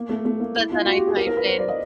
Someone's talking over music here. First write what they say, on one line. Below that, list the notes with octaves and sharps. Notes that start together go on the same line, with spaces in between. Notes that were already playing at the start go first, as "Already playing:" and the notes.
But then I typed in
Already playing: A#3
A3
A3
A#3
E4
F4
F#4
G4
G#4
A#4
A#4
B4
C5
D5
D#5